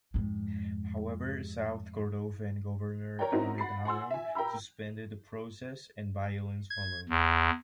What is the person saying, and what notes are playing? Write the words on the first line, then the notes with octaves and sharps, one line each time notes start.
However, South Kordofan governor Ahmed Haroun suspended the process and violence followed.
F2 G#2
A#4 C#5 D5 G5
C4 C#4 D#4 E4 F#4 A#4
F#5 B5 A6 C7
F#5 G#5 C6 E6
E5 G#5
A#4 G5 A#5 B5 E6
G#6
E2